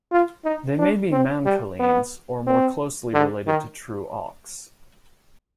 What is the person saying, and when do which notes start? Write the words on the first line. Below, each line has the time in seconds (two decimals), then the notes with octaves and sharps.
They may be mancallines, or more closely related to true auks.
0.12 F4
0.45 D#4
0.79 D4
1.12 C4
1.46 G3
1.80 B3
2.47 C4
3.14 D3
3.47 D#3